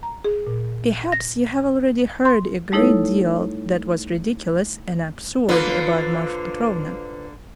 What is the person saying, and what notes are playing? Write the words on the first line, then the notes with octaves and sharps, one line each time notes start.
Perhaps you have already heard a great deal that was ridiculous and absurd about Marfa Petrovna.
A#5
G#4
A#2
A#6
C6
G3 A3 D#4 E4 A4 C#5
D3 A#3 F4 B4 C5